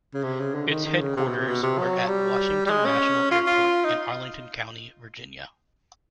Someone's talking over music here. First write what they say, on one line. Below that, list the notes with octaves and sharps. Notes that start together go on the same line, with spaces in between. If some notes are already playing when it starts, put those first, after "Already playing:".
Its headquarters were at Washington National Airport in Arlington County, Virginia.
C#3
C3
C#3
D3
D#3
D#3
C#3
C3
B2
C3
B2
C3
F#3
G3
G3
G#3
C#4
F4
F4
D#4